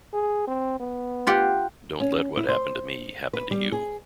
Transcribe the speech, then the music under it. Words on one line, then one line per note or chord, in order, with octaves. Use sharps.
Don't let what happened to me happen to you.
G#4
C4
B3
F4 G4 F#5
C#4
E4
C5
B4
G3
G#4